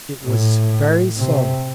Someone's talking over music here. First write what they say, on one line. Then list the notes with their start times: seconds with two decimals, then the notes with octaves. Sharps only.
It was very so.
0.24 A2
1.17 C3